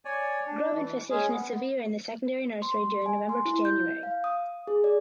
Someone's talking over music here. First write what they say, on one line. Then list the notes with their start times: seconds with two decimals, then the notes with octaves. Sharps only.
Grub infestation is severe in the secondary nursery during November to January.
0.05 C#5 D5 G#5
0.46 D4
0.75 E3
1.10 G#3 C#4 G#4
1.32 B3
2.62 C6
3.06 G#5
3.29 C6
3.45 E4
3.65 G6
4.03 F5
4.24 D#6
4.67 G#4
4.84 D5